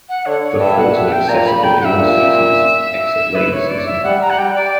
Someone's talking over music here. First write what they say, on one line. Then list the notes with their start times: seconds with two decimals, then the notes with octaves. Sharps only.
The fort is accessible in all seasons except rainy season.
0.09 F#5
0.26 D3 C#5
0.43 C#5
0.60 G2 E5
0.78 F#5
0.95 E5
1.12 G5
1.28 A#2 A#5
1.46 B5
1.63 G5
1.81 F#5
1.85 E5
1.97 A#2
3.35 B4
3.52 C#5
3.69 D5
3.86 E5
4.04 G3 F#5
4.21 A#5
4.30 F#5
4.37 G3 G5
4.55 D5